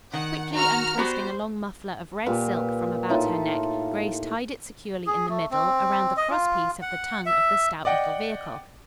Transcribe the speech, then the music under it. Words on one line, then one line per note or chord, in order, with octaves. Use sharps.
Quickly untwisting a long muffler of red silk from about her neck, Grace tied it securely in the middle, around the cross piece of the tongue of the stout little vehicle.
D#3 F#5
F#4 A#5 F6
B3 F#4 G4 C5
A#2 G4 B4
A2 D#4 F4
G#4
A3
C4
D#5
F4
F#5
E5
D5 D#5 F#5 G5